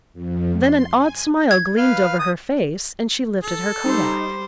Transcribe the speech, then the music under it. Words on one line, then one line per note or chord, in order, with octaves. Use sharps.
Then an odd smile gleamed over her face and she lifted her kodak.
F2
C6
G#5
G#6
B4 F5
D#6
A4
G3 D#4 C5